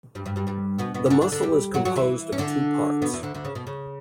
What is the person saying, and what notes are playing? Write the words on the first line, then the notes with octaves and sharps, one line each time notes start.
The muscle is composed of two parts.
G2 G3
G2 G3
G2 G3
G2 G3
B2 B3
B2 B3
C#4
D3 D4
D3 D4
D3 D4
G3 G4
F#3 F#4
F#3 F#4
E3 E4
C#4
D3 D4
B2 B3
E2 E3
D2 D3
D2 D3
C#3
B2
C#3